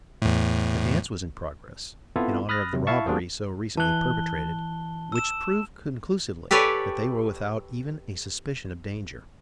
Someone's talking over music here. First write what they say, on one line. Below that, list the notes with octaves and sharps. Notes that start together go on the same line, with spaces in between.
A dance was in progress in honor of the robbery so recently perpetrated, which proved conclusively, that they were without even a suspicion of danger.
E2 A2
B3 C4 E4 F4 A4
B5 D#6 F6 F#6 A6 A#6
C3 F#3
E4 E5 F5 A5 C#6
G3 A#3 D4 F#4 G#4 C5
E3 A5 F#6 G7
E6 E7
G4 A4 B4 C#5 D5 G#5